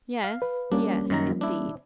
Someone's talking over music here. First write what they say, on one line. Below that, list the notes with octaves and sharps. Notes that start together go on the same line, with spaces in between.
'Yes, yes, indeed.
F5
B4
G3 A#3 C#4 D4
F#2 D#3 A#5
D4 E4